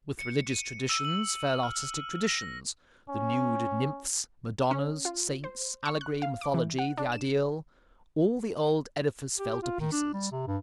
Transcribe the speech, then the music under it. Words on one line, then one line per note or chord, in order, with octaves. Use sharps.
With religious traditions fell artistic traditions; the nude nymphs, Madonnas, saints, allegory, mythology, the ideal--all the old edifice fell to pieces.
C#7
D#7
E6
F#7
F6
A#6
C#4
C#4
F4
C5
C#6
F#6
F5
D6
E3
F#5
D4
E7
G4
F4
D#3
D4
G3
C3
G2